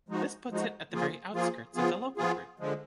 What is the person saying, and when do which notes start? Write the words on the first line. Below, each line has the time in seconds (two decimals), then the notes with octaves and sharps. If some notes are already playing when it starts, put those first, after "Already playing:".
This puts it at the very outskirts of the Local Group.
0.09 F3 G#3 D#4 F#4
0.50 F3 G#3 D#4 F#4
0.92 F3 A#3 F4 G#4
1.33 F3 A#3 F4 G#4
1.75 F3 B3 F4 G#4
2.17 F3 B3 F4 G#4
2.59 D3 F3 G#3